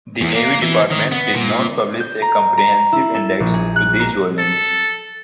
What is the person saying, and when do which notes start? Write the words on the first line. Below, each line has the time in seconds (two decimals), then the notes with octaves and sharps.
The Navy Department did not publish a comprehensive index to these volumes.
0.21 E2
0.35 A#3
0.62 E3
0.91 D#3
1.12 B3
1.34 A#2
2.00 G6
2.22 A#5
2.57 A#5
2.92 E4
3.14 A4
3.40 A#1
3.54 G#4
3.76 F#6
4.00 A#4
4.38 A4